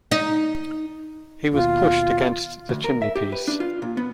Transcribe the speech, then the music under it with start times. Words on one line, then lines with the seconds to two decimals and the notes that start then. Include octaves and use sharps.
He was pushed against the chimney-piece.
0.11 D#4
1.53 D#2 B2 F4
2.69 D2
2.84 A#4
3.02 E5
3.15 G4
3.32 B4
3.48 D4
3.60 F4
3.82 A#2
3.97 B3